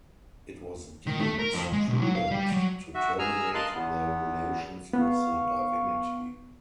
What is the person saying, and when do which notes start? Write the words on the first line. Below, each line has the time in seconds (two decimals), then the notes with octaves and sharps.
It was deemed prudent to terminate their relations with the divinity.
1.07 D#3
1.20 A3
1.39 A#4
1.54 F2
1.72 G#3
1.88 B1
2.02 F#3
2.16 F5
2.31 G3
2.52 F#3
2.94 F#4 E5
3.19 G#4 G#5 A#5 E6 F6
3.55 A#4 D#5 F5 A5 C6 F#6
3.74 E2 B3
4.93 B3 F5 C#6